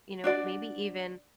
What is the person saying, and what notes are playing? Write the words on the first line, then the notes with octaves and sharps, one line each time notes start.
you know, maybe even
D4 F#4 D5